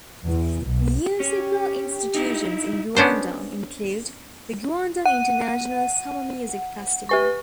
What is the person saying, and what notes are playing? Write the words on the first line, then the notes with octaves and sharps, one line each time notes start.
Musical institutions in Guangdong include the Guangdong International Summer Music Festival.
E2
B1
C#4 G4
D#4 E4
B3 C#4 D4 C5
F#5 D#7
G4 B4 C#6